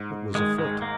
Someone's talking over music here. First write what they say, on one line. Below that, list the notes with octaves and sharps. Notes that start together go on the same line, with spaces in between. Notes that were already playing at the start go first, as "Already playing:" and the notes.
What was afoot?
Already playing: G#2
G#2
D#3 G#3
G#2 G#3
A#3